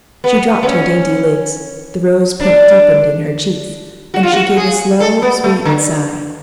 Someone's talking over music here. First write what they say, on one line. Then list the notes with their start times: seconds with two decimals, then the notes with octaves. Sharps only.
She dropped her dainty lids, the rose pink deepened in her cheeks, and she gave a slow, sweet sigh.
0.24 B3
0.63 B3
0.67 C#4
2.40 D4
4.14 F#4
4.23 F4
4.33 F#4
4.57 G#4
5.00 A4
5.22 B3
5.44 A3
5.65 D3